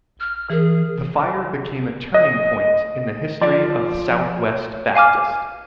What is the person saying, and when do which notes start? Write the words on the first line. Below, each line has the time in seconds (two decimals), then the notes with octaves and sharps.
The fire became a turning point in the history of Southwest Baptist.
0.20 F6
0.50 E3 G#4 A#4
2.14 D#5
3.41 F3 D5
4.95 F5 G#5 D6 F6